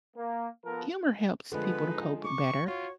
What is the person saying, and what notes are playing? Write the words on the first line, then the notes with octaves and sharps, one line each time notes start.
humor helps people to cope better,
A#3
F3 B3 A4 A#4
D3 F3 G#3 B3 B4
D#4
C#6 D6
F4 F#4 C#5